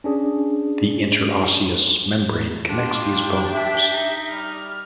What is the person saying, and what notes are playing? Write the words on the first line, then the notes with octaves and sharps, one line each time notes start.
The interosseous membrane connects these bones.
C#4 D4 G#4
D4 F4 G4
E5 G5
D#4
G3 F6